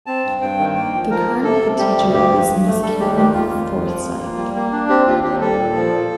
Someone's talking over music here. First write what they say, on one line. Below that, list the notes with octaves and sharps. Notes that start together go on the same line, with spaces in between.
The current Headteacher is Ms Carolyn Forsyth.
C4 A5
G2
G2 G5
D#3
A#3 G5
F3
F3 A#4
A#3
C3 A4
C3
G3 G4
D2
G2 G4
G2
G2
A3
G3 A4
D#2 G4
D#3 G4
D#2 F4
F2
F2
F3
F2
A#3
G3
A#3
D4
C4 G4
D#2 F4
D#2 G4
G3 A4
A#2
F3
A#2